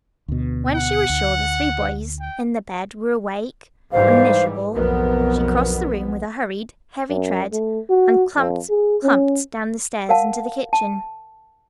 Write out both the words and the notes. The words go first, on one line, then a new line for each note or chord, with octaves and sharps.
When she was sure the three boys in the bed were awake and miserable, she crossed the room with a hurried, heavy tread and clumped, clumped down the stairs into the kitchen.
D2 B2
F#5
D2
G5
G#2 E3 G3 C5 F5
B1 F2 B3 A#4
F#2
A3
F#4
F2
G#4
C#4
A#4 D5 F5 F#5 A5
A5